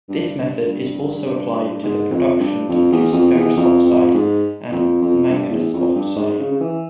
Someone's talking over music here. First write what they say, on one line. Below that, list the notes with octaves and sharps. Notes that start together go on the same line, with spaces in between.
This method is also applied to the production of ferrous oxide and manganous oxide.
G2
G2
G2
G#2
F2
G2
F2
E2
F2
E2
F2
F2
G#2
F2
F2
G2
E2
F2
G2
G#2
C#3
C#3
E3